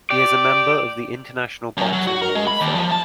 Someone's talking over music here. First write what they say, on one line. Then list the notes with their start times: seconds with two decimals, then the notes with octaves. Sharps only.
He is a member of the International Boxing Hall Of Fame.
0.10 G4 D5
1.77 F#2
1.93 F#3
2.07 F#4
2.22 A#4
2.35 G#3
2.47 B5
2.61 D#2
2.75 F3
2.92 A5